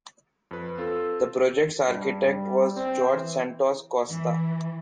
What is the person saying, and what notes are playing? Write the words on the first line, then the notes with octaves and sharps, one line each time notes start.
The project’s architect was Jorge Santos Costa.
F2 B4
C4 F4 A4
G2
G3
C4
E3
E3